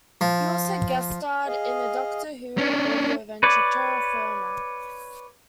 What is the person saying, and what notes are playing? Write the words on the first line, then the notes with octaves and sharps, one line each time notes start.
He also guest-starred in the "Doctor Who" audio adventure "Terror Firma".
F3
G#4 D#5 F5
C#4 D4
B4 C#5 D5